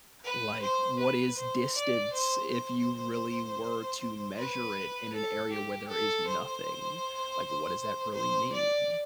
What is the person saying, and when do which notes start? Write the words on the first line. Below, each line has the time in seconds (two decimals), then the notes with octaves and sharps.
Like, what is distance if you really were to measure it in an area where there is nothing, like, what does that really mean?
0.24 B4
0.61 C5
0.98 B4
1.37 C5
1.75 D5
2.12 C5
2.50 C5
4.37 B4
5.13 A4
5.51 G4
5.88 A4
6.27 C5
8.14 C5
8.53 D5